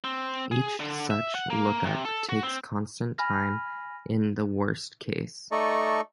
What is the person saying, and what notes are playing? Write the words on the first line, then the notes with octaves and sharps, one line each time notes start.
Each such lookup takes constant time in the worst case.
C4
G#4
D3
E5
F#5
A#3
C3
A4
F#4
C4
G#5 B5 F6 A#6
A3 D#4 A4 D5 D#5 C#6